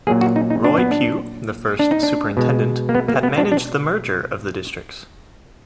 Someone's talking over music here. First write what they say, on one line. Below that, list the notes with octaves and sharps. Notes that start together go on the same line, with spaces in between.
Roy Pugh, the first superintendent, had managed the merger of the districts.
A#2 F#3 A#3 G#4
F#4
D#4
D#4
D4
B3
D4
D4
D#4
D4
B2 G#3
A#3
B3
A#3
B3
D4
D4